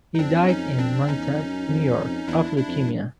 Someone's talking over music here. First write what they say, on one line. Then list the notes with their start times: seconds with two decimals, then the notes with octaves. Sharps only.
He died in Montauk, New York of leukemia.
0.15 D#4
0.19 F2 C4 D4
0.49 C#4 D#4
0.79 C4 D4
1.08 E2 C#4 D#4
1.29 F2
1.48 F#2
1.68 F2
2.28 E2 D4 E4
2.58 D4 E4
2.68 F2
2.87 G2